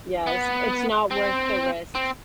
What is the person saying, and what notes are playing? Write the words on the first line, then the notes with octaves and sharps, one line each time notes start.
Yes, it's not worth the risks.
B3
C4
C4